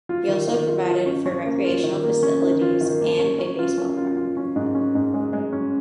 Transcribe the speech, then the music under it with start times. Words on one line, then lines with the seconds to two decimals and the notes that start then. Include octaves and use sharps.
He also provided for recreational facilities and a baseball park.
0.09 F4
0.28 D#3
0.47 D#3
0.67 F4
0.86 F4
1.06 C#4
1.26 C#4
1.46 A#3
1.65 F4
1.84 D#3
2.04 A#3
2.23 C#4
2.42 D#3
2.61 F4
2.81 D#3
3.01 A#3
3.19 C#4
3.39 C#4
3.59 F4
3.78 C#4
3.97 F4
4.17 F4
4.37 C#4
4.56 G#2
4.75 C#4
4.95 G#2
5.14 G#3
5.33 G#3
5.53 C#4